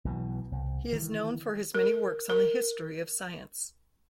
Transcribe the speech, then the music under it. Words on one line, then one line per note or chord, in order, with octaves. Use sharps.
He is now known for his many works on the history of science.
B1 B2 E3
C2
D#3 E3
A#4
A#4